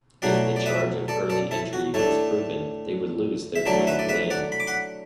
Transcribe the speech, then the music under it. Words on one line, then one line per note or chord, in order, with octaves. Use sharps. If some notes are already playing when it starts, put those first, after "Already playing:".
If the charge of early entry was proven, they would lose their claimed land.
B2 F#3 A3 E4 D5 F#5
D5
B4 E5
A4 D5
A4 D5
E4 A4
F#4
A2 A3 D4 E4 A4
E5
D3 F#3 A3 E4 A4 D5
B4 E5
D5
B4 E5
D5 F#5
B5
D6
F#5 B5